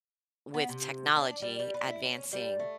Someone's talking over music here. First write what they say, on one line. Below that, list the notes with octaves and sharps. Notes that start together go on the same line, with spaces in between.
with technology advancing,
B3
C3
D4
G3
G3
B4
E4
C#4
G3
A3